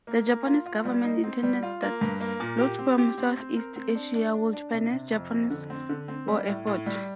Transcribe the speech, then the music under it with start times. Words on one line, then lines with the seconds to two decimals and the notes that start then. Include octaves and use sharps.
The Japanese government intended that loot from Southeast Asia would finance Japan's war effort.
0.07 A#3
0.27 A#3
0.46 F4
0.66 F4
0.85 G3
1.04 D#4
1.24 C4
1.43 G3
1.63 F4
1.82 A#3
2.01 G2
2.20 A#3
2.40 A#2
2.59 G4
2.79 C4
2.98 G4
3.18 C4
3.37 C4
3.56 A#4
3.76 C4
3.95 D4
4.15 D4
4.34 D4
4.53 D4
4.73 C3
4.92 C3
5.12 F2
5.31 F2
5.50 D3
5.70 C4
5.89 D3
6.08 C4
6.28 G3
6.47 A2
6.67 A2
6.86 G3